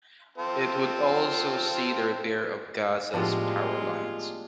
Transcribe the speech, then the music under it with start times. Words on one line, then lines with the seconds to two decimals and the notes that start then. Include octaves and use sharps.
It would also see the repair of Gaza’s power lines.
0.38 C4 F4 A4
3.13 A2 F3 G#3 B3 D4 F4 G4